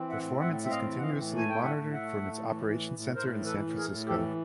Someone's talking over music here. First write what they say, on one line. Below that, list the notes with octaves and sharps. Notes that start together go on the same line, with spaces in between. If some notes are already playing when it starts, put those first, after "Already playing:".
Performance is continuously monitored from its operations center in San Francisco.
Already playing: E3 C4
E5 F#5
A2
A2 E5 F#5
C4 E5
D#5 F5
E3
F#5
D#5 F5
A2
A3
G#5
G5
A2
E5 F#5
A2
E5 F#5
A3
A2
E3
A2
A2
A2 A#4 C5
E3
A4 B4
A2
G#4 A#4
A2
E3 G4 A4